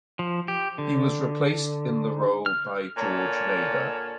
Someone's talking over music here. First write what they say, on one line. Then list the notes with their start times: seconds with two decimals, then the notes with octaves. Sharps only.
He was replaced in the role by George Nader.
0.19 F3
0.48 G4
0.78 D3
2.46 F6
2.97 A#2 D3 C#5 G#5 A5